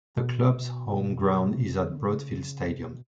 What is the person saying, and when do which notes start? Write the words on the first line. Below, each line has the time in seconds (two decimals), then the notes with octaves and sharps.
The club's home ground is at Broadfield Stadium.
0.17 B2
1.55 C3
1.82 D3
2.05 C3
2.09 C#3
2.64 C3
2.82 B2